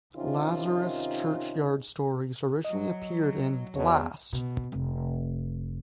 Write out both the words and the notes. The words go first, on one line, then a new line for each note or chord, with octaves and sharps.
Lazarus Churchyard stories originally appeared in Blast!
C3 D#3 C#4 D#4 F4
F#3 D#5
E2 B2 C#5
B2
F1